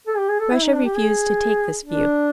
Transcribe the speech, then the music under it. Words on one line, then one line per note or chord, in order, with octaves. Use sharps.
Russia refused to take this view.
A4
G4
G#4
A4
E4
D#4
D4
G4
G#4
D4